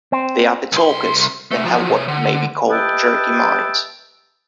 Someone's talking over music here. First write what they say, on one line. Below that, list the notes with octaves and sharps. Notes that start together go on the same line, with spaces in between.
They are the talkers that have what may be called jerky minds.
C4
C2 C6
C3 A3
F3 F#3
C3 C#5
D3
G4 B4 D#5 E5 G5 A5